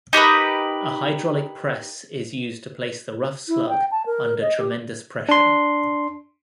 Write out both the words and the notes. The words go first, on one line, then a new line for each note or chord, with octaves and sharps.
A hydraulic press is used to place the rough slug under tremendous pressure.
D#4 G4 A#4 B4
E4
G5
A5
A#4
D#5
G4
D4 C6